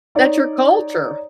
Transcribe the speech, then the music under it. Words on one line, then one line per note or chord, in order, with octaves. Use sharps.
that's your culture.
D#4 C#5 D5